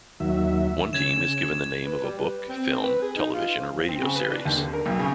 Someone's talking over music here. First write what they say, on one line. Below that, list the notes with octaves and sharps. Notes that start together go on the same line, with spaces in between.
One team is given the name of a book, film, television or radio series.
D#2 F#3 E5
C#3 G#6 E7
B4
G3
B4
C4
B4
G#4
D#4
F4
F3
C4
C#3
B4
D4
D#2
D3
A#4
B1
C#3